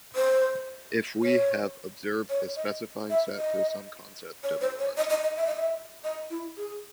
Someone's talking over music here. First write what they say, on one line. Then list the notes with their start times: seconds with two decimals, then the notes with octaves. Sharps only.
If we have observed a specifying set for some concept w.r.t.
0.15 C5
1.22 C#5
2.29 C#5
2.56 D#5
3.10 E5
3.36 D#5
4.43 C#5
4.61 C5
4.79 C#5
4.97 D#5
5.10 D#5
5.23 D#5
5.37 E5
5.47 D#5
5.56 E5
6.04 D#5
6.30 E4
6.57 G#4